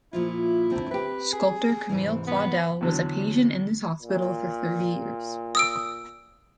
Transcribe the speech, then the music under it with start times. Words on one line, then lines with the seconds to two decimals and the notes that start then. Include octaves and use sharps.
Sculptor Camille Claudel was a patient in this hospital for thirty years.
0.13 A#2 F3 E4 F4
0.70 D3 C4
0.91 C4 G4 B4
1.33 G#4
1.89 G#2 C3 E3
2.27 B3
2.81 E2 D3 F#3
4.02 A#2
5.55 D#6 E6 D7